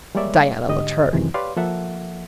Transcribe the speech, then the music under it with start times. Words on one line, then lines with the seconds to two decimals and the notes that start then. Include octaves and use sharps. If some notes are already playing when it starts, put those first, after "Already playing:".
Diana looked hurt.
0.15 G3 G#3 A#3 C#5 D5 E5
0.69 G#2 D3 G4 D#5 D#6
1.13 F#2 C3 D#3 E3 G#3
1.34 G4 B4 C#5 D5 F5 C6
1.57 F3 A#3 A4 E5 F#5